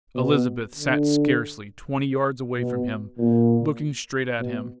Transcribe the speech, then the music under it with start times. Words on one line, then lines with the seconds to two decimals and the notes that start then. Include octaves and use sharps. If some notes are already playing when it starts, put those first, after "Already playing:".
Elizabeth sat scarcely twenty yards away from him, looking straight at him.
0.15 B2
0.75 D3
2.58 B2
3.19 A#2
4.40 B2